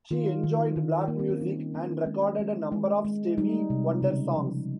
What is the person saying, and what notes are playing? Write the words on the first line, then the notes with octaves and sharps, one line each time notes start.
She enjoyed black music and recorded a number of Stevie Wonder songs.
D#3 F4
D#3
D#3
A#3
C4
C#4
G3 D#4
A#3 C#4
G#3 C#4
G#3
G#3
G#3
G3 D#4
C3
C#3
F3